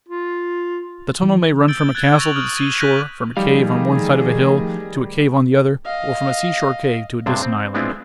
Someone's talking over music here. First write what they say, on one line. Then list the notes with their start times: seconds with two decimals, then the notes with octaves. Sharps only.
The tunnel may run from a castle to the seashore, from a cave on one side of a hill to a cave on the other, or from a seashore cave to a distant island.
0.09 F4
1.23 E3
1.68 E6 G6 A6 D7 G7
1.95 F#6 G#6 A6 G7
2.18 C#6 E6 A6 A#6 F7 F#7
2.36 D#6 F6
2.56 A6 D#7 G7
2.79 F#6 G6 A#6 B6 F#7
3.37 D#3 F3 G3 A3 D#4 G#4 F5
5.85 D#5 F5
7.26 G2 C3 G#3 D4 C5
7.43 C4
7.75 G#3 B3 C4 D4 E4 F4